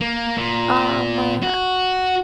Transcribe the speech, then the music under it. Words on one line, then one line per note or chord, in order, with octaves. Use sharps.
Um, uh,
A#3
A#2
F#4